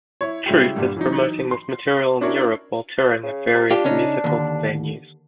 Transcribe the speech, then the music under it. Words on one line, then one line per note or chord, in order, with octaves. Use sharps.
Truth is promoting this material in Europe while touring at various musical venues.
E4 C#5
C#3 G3 G#3 E4 F#4 G4
G2 A#2 D3 G3
E3 F#3 D#4
C6
C#4 D4 E4 F#4 A#4 C#5
C#3
C3
D4 F4 G4
C#3 C#4 D#4
D#2 D3